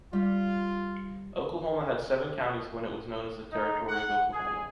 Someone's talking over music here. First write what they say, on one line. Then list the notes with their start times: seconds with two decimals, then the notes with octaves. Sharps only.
Oklahoma had seven counties when it was known as The Territory of Oklahoma.
0.13 G3 F4
3.52 D#4
3.88 F#5
4.33 G#4